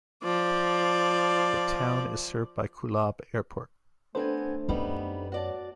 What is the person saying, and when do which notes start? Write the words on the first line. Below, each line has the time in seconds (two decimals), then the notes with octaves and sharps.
The town is served by Kulob Airport.
0.24 F3 D5
4.15 A3 B3 C4 D4 A4 C5 G#5
4.69 F#2 G3 B3 D#4
5.32 F#4 C#5 D5 A5